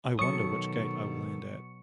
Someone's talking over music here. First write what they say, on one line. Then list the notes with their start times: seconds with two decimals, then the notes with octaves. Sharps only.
I wonder which gate I will land at.
0.19 B2 D#3 F#3 A4 C#5 C#6 D#6 C#7